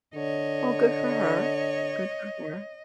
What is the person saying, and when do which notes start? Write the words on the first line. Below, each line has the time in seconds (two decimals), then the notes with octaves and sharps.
Well, good for her. Good for her.
0.15 D3 C#5 D#5